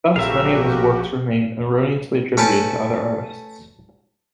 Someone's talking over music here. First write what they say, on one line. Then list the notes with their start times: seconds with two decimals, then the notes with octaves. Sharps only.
Thus, many of his works remain erroneously attributed to other artists.
0.16 A#1 A3 C4 F#4 G4 A#4 E5 F5
2.37 A3 C#4 B4 G5 A5